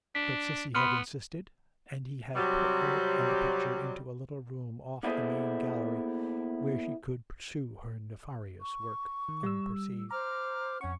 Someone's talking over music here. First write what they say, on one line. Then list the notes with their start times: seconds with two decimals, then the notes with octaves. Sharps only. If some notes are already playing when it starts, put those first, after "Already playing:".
But Cissy had insisted, and he had put her and the picture into a little room off the main gallery, where she could pursue her nefarious work unperceived.
0.15 D4 B6
0.75 B3 B5 C6 F6
2.35 C3 F#3 G3
5.03 A#3 B3 E4 G#4 A4 C5
8.61 C#6
9.29 D#3
9.43 G3 E6
10.11 C5 A#5 D6 F6
10.81 F2 C#4 F#5 C#6